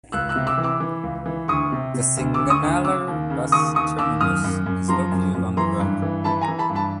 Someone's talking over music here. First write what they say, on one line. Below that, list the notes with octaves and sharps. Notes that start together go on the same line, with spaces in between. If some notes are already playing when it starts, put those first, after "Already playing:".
The Singanallur Bus Terminus is located along the road.
C#2 E6 F#6
E6 F#6
C3
D6 E6
E3
D6 E6
E3
C#2
E3
D2 C#6 D#6
C3
C3
D2
D6 E6
D2
C#6 D#6
D2
C#3 D6 E6
D#2
C#3
D#2 C#6 D#6
D#2 C#6 D#6
D#2 D6 E6
F#2 D#6 F6
F#2
F#2
F3 A#5 C6
F#2
F#2
E3 A#5 C6
G2
E3
E3 A5 B5
G#5 A#5
E3
A5 B5
G2
A5 B5